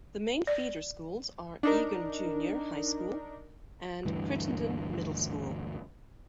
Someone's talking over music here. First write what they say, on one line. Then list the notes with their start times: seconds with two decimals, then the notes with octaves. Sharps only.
The main feeder schools are Egan Junior High School and Crittenden Middle School.
0.47 D5
1.63 D4 D#4 A#4
4.05 D2 G2 E3